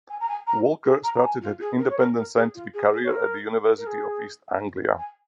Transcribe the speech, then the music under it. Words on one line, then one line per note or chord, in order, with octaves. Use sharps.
Walker started her independent scientific career at the University of East Anglia.
G#5
A#5
G#5
A#5
G#4
A#5
A#5
G#5
F4
G#4
A#4
C#5
A#4
A#4
G#4
F4
G#4
G#4
C#5
A#4
A#4
G#4
G#5